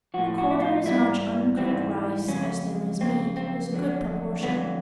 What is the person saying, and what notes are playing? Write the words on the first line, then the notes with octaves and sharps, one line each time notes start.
A quarter as much uncooked rice as there is meat is a good proportion.
A2 F3 F#4
F#4
E4
F4
G#2 E3 G3 E4
G#2 E3 G3 C4
F2 C#3 F#3 C#4
F2 C#3 F#3 C4
C4
F2 D3 F#3
F2 D3 F#3 B3